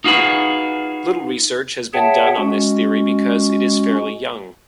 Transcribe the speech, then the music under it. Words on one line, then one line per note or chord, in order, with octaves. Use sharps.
Little research has been done on this theory because it is fairly young.
D#4 F4 F#4 G#4 B4
G#4 C#5 E5 F#5 G5 A5
G#3 C#4 F#4